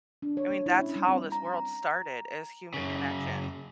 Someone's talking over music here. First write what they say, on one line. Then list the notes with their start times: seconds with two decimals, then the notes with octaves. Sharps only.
I mean, that's how this world started is human connection.
0.22 D4
0.37 C#5
0.50 A#3
0.66 E4
0.79 C#4
0.96 G3
1.09 C4
1.32 A#5
2.74 F#2 C#3